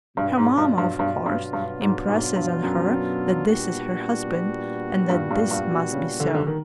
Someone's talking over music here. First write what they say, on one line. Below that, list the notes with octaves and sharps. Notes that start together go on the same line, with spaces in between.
Her mamma of course impresses on her that this is her husband and that this must be so.
G2 B2 F#3 B3 D4 F4
G#2
G2
G2
G2
G2
G2
G#2
G#2
G2
F#2
A#2 G3 B3 D4 F#4
G2
G2
G2
B2
C#3
D3
D#3
D3
D#3